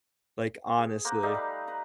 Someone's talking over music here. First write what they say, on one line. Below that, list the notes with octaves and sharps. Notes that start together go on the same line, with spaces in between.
Like, honestly.
G#4
A#3 C5 F#5 A#5
G3 A3 D#4 F5
B4
B4 A#5